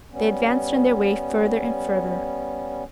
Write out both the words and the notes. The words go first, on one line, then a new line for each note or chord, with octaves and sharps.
They advanced on their way further and further.
G3 B3 C#4